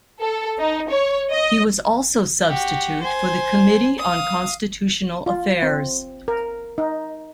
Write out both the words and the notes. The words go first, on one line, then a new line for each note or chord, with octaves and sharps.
He was also substitute for the Committee on Constitutional Affairs.
A4
D#4
C#5
D#5
F#4 G4
C5 G#5
F5 D#6
F4
C4
A#4
D#4